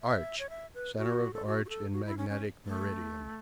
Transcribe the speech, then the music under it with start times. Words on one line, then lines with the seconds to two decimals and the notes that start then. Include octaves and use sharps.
Arch: centre of arch in magnetic meridian.
0.02 E5
0.39 C#5
0.50 E5
0.74 B4
0.98 F#4
1.34 A4
1.46 F#4
1.65 F#4
1.69 A4
1.93 F#4
2.06 E4
2.18 C#4
2.29 C#4
2.66 A3